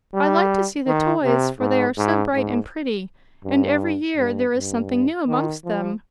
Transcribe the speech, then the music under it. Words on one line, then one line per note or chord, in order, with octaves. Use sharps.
I like to see the toys, for they are so bright and pretty, and every year there is something new amongst them.
G3
D#3
C3
G#2
G#2
G#2
G2
G2
G2
D#3
F3